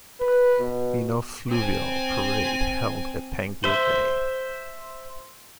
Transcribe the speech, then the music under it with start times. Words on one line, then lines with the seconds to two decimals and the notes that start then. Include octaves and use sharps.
Nino Fluvial Parade held at Panguil Bay.
0.20 B4
0.59 B2
1.48 C4 G#5
3.64 C5 E5